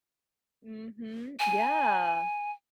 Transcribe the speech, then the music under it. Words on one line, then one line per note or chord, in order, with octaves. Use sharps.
Mhm, yeah.
G#5